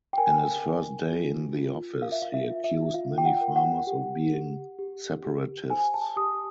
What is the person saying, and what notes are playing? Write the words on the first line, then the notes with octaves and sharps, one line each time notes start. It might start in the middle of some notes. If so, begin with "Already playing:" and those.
In his first day in the office, he accused many farmers of being separatists.
G5
A#4 G#5
A#4
F4
F4
A#4 F5
E5
F5
E5
F4
E5
F4 F5
G5
F#5
A#4
F#5
G4
G4
G4
G4
C5 G#5
A5
G4 D#6